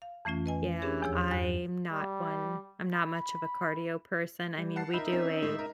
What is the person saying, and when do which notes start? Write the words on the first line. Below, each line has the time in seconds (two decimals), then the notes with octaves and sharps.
Yeah, I'm not one I'm not much of a cardio person, I mean, we do a
0.02 F5
0.25 F2 E3 A3 C#4 F4
0.46 B4 D#5 G#5
0.81 C#4 D4 G4 G#4 A#4 C#5
1.02 E2 F3 G#4 C#5 E6
1.31 E2 G2 F#3 F#6
1.92 G3
2.94 B5
4.58 G3
4.76 F#5 A5 C7
4.94 D#4 A#4 E5 B5
5.12 C4 C#4 A#4
5.42 A2 G#3 A3
5.59 A#4